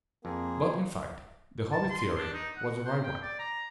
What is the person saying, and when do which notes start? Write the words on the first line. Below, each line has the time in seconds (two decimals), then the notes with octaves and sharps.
But, in fact, the hobby theory was the right one.
0.25 F2 A#3 C4 G#4
1.72 A5
1.90 C6
2.18 D4
2.34 D#4
2.57 F#5
2.86 C5
3.03 G5
3.23 D5
3.39 A#5